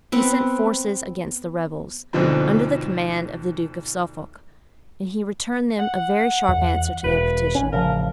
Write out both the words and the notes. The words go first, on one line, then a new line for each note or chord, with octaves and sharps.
He sent forces against the rebels, under the command of the duke of Suffolk; and he returned them a very sharp answer to their petition.
B3 C4
D2 G#2 B2 D3 F3 C4
F#5
E2
E1 B4
A1 C#4
A1 C#3 F3 A#4